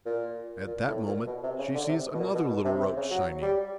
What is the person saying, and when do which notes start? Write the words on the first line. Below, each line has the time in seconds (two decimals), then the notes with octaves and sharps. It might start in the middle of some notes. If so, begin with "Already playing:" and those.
At that moment she sees another little roach shining.
0.05 A#2
0.67 A#2
0.87 A2
1.07 A#2
1.27 B2
1.43 C3
1.59 C#3
1.74 D3
1.89 C3
2.14 B2
2.20 A#2
2.35 B2
2.49 B2
2.65 C3
2.80 C3
2.96 C#3
3.11 F#3
3.42 G3